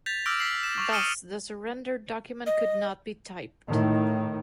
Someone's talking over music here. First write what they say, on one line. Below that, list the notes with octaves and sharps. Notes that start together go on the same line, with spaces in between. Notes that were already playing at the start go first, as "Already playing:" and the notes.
Thus the surrender document could not be typed.
G6 A6 B6 F7
D6 E6 F6 G6 A#6 D7
B6 C7 F#7
E7
C#6 D6 F7
D#6 F6 C#7 D#7 E7 G7
D#5
A2 D#3